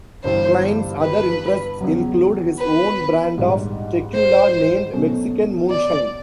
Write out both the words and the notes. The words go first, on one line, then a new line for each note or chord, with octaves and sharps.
Clyne's other interests include his own brand of tequila, named Mexican Moonshine.
G1 G2 E3 G3 C5
B4
E2 C#3 F#3
B4
A#1 G#2 D#3 G3
C5
B2 F#3 A3 C#4
D5